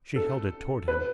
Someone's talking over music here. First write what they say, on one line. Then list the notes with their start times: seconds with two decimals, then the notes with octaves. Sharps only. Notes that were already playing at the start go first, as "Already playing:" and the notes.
She held it toward him.
0.16 A4
0.88 B4